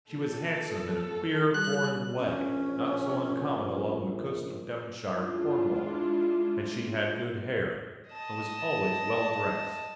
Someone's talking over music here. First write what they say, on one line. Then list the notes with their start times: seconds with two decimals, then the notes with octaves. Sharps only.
She was handsome in a queer, foreign way not so uncommon along the coasts of Devonshire and Cornwall, and she had good hair, and was always well dressed.
0.10 A#2 A4
1.54 G3 F#6
2.18 A#1 C#4
5.13 G#3 D4 E4 F4
8.10 D#5 A5